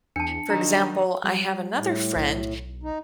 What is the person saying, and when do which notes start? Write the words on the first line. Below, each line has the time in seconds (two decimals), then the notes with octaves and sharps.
For example, I have another friend
0.16 E2 D4 A5 C#7
0.50 D#3 F#3 D4 D#4 A#5
1.24 G3
1.77 A2
2.16 B1
2.83 D#4